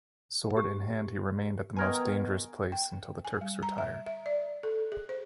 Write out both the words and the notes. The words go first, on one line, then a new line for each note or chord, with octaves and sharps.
Sword in hand, he remained at the most dangerous place until the Turks retired.
G4
D#3 B3 A#4 G#5
G5
G#5
G3
A#5
E5
E5
D5
A4
G#4
C5